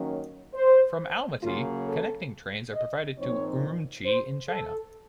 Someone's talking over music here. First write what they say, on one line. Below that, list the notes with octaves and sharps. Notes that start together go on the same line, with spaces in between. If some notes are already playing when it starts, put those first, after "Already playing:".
From Almaty connecting trains are provided to Urumchi in China.
Already playing: D#3 F#3 A#3 C#4
C5
C#3 F#3 A#3 F4
A4
D#5
A#2 F3 C4 D#4 C#5
C5
A4